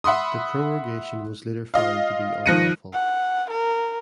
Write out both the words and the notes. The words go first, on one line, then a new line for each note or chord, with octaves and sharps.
The prorogation was later found to be unlawful.
E5 F#5 B5 C6 D#6
F4 D#5 F5
D#3 F3 F#6 A#6 C#7 D#7
F#5
A#4